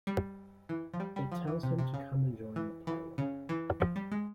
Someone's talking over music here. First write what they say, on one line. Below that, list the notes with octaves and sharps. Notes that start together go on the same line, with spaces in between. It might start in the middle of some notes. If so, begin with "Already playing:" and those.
It tells him to come and join the parliament.
G3
E3
F3
G3
G3
F3
E3
C3
C3
C#3
E3
E3
C#3
E3
F3
G3
G#3